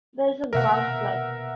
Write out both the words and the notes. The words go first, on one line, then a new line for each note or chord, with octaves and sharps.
There is a golf club.
B2 A#3 A#4 E5 F#5